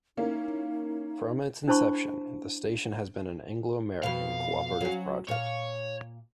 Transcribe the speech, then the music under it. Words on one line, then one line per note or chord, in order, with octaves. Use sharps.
From its inception, the station has been an Anglo-American co-operative project.
A#3 C#4 D#4 E4
D4 E4 C5 A5 B5 C#6
F2 B2 F5
F#3 C#4
A#2 C#5 F5